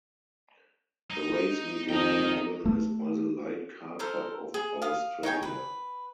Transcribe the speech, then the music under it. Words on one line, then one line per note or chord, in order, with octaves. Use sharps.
The race meeting was organised by the Light Car Club of Australia.
D#4
F2 D#4 A#4 G5
A3
A4 A#4 C5
G#4
F5 D#6
D#4 C#5 G5 G#5
B4